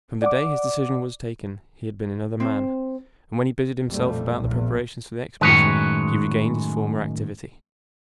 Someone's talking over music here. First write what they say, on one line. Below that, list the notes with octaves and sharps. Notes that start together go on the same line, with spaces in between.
From the day his decision was taken he had been another man, and when he busied himself about the preparations for the expedition he regained his former activity.
D5 F#5 D6
C4
F2 A#2 G3 A3
A#1 E2
F#2 A2 D#3 G#3 B4 C#5